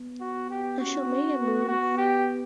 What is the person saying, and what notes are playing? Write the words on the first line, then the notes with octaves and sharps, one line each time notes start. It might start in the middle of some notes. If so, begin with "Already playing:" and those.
I should make a move.
Already playing: B3
F#4
G4
C#4 F#4
C#4
B3
B3 F#4
G4